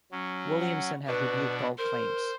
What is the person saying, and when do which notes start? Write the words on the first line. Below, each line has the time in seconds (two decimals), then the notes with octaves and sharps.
Williamson has rebuked all claims.
0.12 F#3 C#4
0.60 F#5
1.07 B2 D4 F#4 B4
1.78 A#4 C5